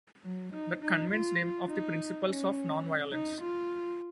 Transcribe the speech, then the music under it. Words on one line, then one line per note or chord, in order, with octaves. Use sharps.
That convinced him of the principles of nonviolence.
F#3
D#4
D#4
F4
D#4
C#4
D#4
F4